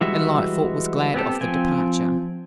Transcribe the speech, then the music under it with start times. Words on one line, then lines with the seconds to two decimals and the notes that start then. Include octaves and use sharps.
And Lightfoot was glad of the departure.
0.01 E3 G3 G#3 F#4 E5
1.14 B3 C4 G4 A4
1.41 F3 C4 G5 G#5